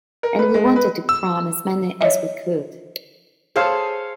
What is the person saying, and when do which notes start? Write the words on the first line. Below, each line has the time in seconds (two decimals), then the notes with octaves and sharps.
And we wanted to cram as many in as we could.
0.23 A#4
0.39 B4
0.54 G#3
0.76 B4
1.09 E6
2.01 C#5 D#5 E5
3.56 G#4 A4 C5 C#5 F5